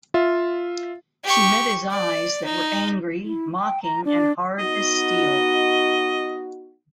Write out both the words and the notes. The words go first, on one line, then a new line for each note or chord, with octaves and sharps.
She met his eyes, that were angry, mocking, and hard as steel.
F4 E5 F5
G4 C#6
D5
D#4
E4
G5
A#5
D4
B3 D#4 F#4 D#5